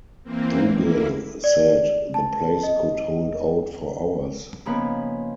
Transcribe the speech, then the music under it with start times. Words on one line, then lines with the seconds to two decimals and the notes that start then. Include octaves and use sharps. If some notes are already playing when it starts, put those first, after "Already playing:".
Dougal said the place could hold out for hours.
0.24 E3 A#3 C4
0.78 A#3 E4
1.44 D5
2.14 A5
2.63 D#5
4.66 C#3 F3 A#3 B3 D#4 B4